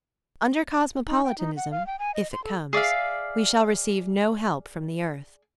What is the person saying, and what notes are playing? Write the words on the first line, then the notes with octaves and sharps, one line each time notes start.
Under cosmopolitanism, if it comes, we shall receive no help from the earth.
D#4
G5
D#4
F#5
F5
G5
G#5
D#5
C6
A4
G#4 D5 E5 F5